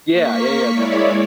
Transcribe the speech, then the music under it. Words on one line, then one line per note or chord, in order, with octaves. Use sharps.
Yeah, yeah, yeah, definitely.
A#3 C#6 B6 C#7
G#3 E4 C#5 D5